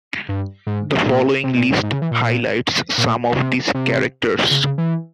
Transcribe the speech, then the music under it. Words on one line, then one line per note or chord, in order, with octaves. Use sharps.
The following list highlights some of these characters.
G2
G#2
A#2
C3
A#2
G#2
G#2
C#3
E3
A#2
A#2
C3
C3
C#3
C#3
E3